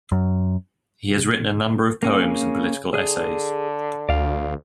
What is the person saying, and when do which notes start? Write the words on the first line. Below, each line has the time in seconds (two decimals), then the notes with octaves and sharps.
He has written a number of poems and political essays.
0.12 F#2
2.03 C#3 A#3 C#4
2.94 D3 G#4
4.09 D2 D5 F5